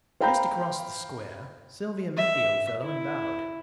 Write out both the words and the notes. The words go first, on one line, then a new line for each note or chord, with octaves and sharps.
Just across the square Sylvia met the Old Fellow and bowed.
C5 F5 G5 A#5 B5 G6
E5
E4